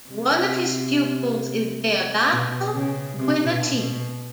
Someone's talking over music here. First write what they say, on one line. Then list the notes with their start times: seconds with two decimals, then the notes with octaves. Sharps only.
One of his pupils is Deodato Guinaccia.
0.10 C3
2.30 B2
2.74 C#3
3.19 C3
3.48 B2
3.77 B2